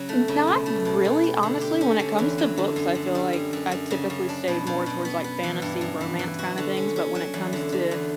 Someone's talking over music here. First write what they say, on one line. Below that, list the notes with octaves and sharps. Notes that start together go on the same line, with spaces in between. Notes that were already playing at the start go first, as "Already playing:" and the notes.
not really. Honestly, when it comes to books I feel like I typically stay more towards like fantasy romance kinda things, but when it comes to
Already playing: C#3 F#3
A3
C#3
B2
A3
B2
B2
G4
D3
G4
C#4
D3
E2
F#3
D3
F#2
D3
G3
F#2
F#2
F#2
C#3
F#2
D4
B2
B2
B2
B3
B3
E3
G2
F#2
E3
E3
F#4
D3
C#4
C#4
F#3
E2
D3
D3
E2